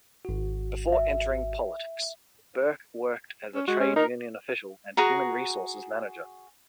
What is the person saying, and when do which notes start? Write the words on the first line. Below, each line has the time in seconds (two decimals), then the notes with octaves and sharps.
Before entering politics, Burke worked as a trade union official and human resources manager.
0.25 G#1 F#4
0.92 E5
3.55 C#4
3.68 G#3 F#4
3.81 C#4
3.96 D#4 A#4
4.97 F#4 G#4 A#5